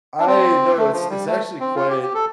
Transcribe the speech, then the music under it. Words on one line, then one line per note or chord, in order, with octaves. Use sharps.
I no, it's it's actually quite
D4
C4
A3
F3
G3
A3
C4
F4
G4
G4
A4